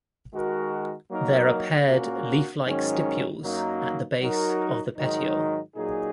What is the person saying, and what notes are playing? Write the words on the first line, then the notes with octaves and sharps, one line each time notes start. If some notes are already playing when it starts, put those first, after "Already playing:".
There are paired leaf-like stipules at the base of the petiole.
D#3 G#3 F#4 A#4
F#3 A#3 D#4 A#4
A#2 A#3 C#4 F#4
G#2 D#3 F#3 C#4
F#2 F#3 A#3 D#4
F#3 D#4 F#4 A#4
G#2 D#3 F#3 D#4
A#2 F#3 D#4 G#4